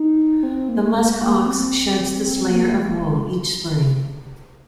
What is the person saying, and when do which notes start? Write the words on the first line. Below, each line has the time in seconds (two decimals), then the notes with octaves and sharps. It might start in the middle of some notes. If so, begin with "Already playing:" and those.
The muskox sheds this layer of wool each spring.
Already playing: D#4
0.43 C4
0.69 A#3
0.95 G#3
1.21 A#3
1.47 C4
2.50 A#3
2.75 G#3